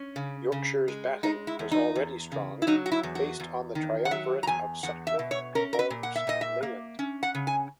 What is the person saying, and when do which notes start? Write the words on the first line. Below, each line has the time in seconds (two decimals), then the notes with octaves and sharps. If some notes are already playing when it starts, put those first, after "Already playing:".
Yorkshire's batting was already strong, based on the triumvirate of Sutcliffe, Holmes and Leyland.
Already playing: C#4
0.16 C#3
0.52 C#3
0.88 G#3
1.23 G#3 D#4
1.47 E4
1.59 E2
1.72 D#4
1.95 E2
2.32 C#3
2.62 E4
2.67 F#3 D#4
2.86 F#4
2.92 E4
3.03 E2
3.15 F#4
3.40 E2
3.75 D#3
4.05 F#5
4.11 F#3 E5
4.43 A#5
4.47 E2 G#5
4.83 E2 F#5
5.07 E5
5.19 B2
5.31 C#5
5.55 C#4 A#4
5.73 A#4
5.79 B4
5.90 A#2
6.03 F#5
6.16 E5
6.27 A#2 D#5
6.41 E5
6.63 A#3
6.99 C#4
7.23 F#5
7.35 C#3
7.47 G#5